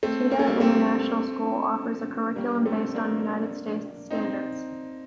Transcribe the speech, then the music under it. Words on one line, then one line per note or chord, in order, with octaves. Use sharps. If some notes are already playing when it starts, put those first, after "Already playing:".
Teda International School offers a curriculum based on United States standards.
A3 C4
A#3
A3
G3 A#3
A3 C4
G3 A#3
A3 C4
A#3 D4
C4 D#4